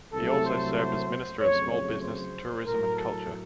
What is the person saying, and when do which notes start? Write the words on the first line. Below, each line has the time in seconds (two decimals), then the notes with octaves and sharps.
He also served as Minister of Small Business, Tourism and Culture.
0.14 C2 C3 F#3 A3 A4
0.45 C5
0.77 C5
1.08 C5
1.39 F2 C#3 F#3 A3 C#5
1.71 C#5
2.03 C5
2.65 A2 F#3 A3 A#4
2.96 A4